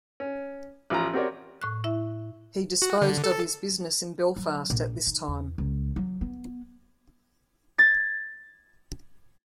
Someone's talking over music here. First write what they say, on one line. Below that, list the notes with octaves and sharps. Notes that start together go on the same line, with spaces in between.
He disposed of his business in Belfast at this time.
C#4
A1 F3 F4 F5 A#5
C4 F#4 G4 A#4 C#5 D5
A2 C#6 F#6
E4 E5
F#4
D3
A4
F#3
A#1
D#3
E2
C#2
F#3
B3
G#6 A6